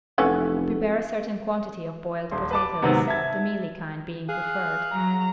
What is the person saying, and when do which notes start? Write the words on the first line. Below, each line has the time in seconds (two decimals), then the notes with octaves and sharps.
Prepare a certain quantity of boiled potatoes, the mealy kind being preferred.
0.18 F1 E3 B3 C#4 A4
2.31 D#1 C6
2.51 B4 A5 D6
2.82 G#2 C3 D#3 F#3 B3 C4
3.08 E5 A5 G#6
4.29 G#4 F5 F#6
4.93 F#3 A#5